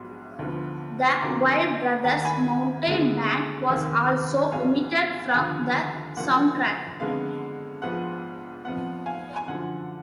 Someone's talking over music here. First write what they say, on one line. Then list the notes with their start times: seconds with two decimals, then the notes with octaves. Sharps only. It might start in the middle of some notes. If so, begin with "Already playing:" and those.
"The Vile Brothers Mountain Band" was also omitted from the soundtrack.
Already playing: A#1 G#2 F#3 B3
0.39 D2 D3 F3 B3
1.21 F2 D3 F#3 A#3 A#5 D6
2.04 D#2 D#3 A#3 F#5 A#5
2.25 G#5 B5
2.87 D2 D3 G#3 B3
3.69 F1 D#2 D#3 A#3
4.51 A#1 G#2 F#3 B3 F5 G#5
5.29 F#5
5.34 D#2 D3 F3 F5 G#5
6.17 F#1 F#2 F3 A#3 F#5
7.00 F2 D3 G#3 B3 F5
7.82 A#1 G#2 F3 B3 F#5
8.65 F2 F3 B3 F#5
9.06 F5 G#5
9.36 G#5
9.48 F#2 D3 F3 F#5